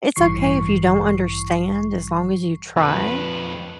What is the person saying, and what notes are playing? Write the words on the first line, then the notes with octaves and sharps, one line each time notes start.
it's okay if you don't understand as long as you try,
A1 G2 E3 G3 C#6 C7
F2 B4